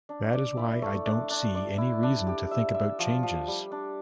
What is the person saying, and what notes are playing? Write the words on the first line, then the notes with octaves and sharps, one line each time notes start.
That is why I don't see any reason to think about changes.
D4
D5
E4
A3
D4
D4
D5
E4
D4
G4
E5
E5
F3
F3
G3
D4